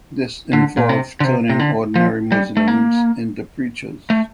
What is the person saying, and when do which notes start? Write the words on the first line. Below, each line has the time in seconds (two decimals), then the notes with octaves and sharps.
This involved turning ordinary Muslims into preachers.
0.53 D3
0.77 A#2
0.89 C3
1.20 D3
1.24 C3
1.50 C3
1.59 D3
1.96 F3
2.32 G3
2.57 A3
2.68 A#3
4.10 A3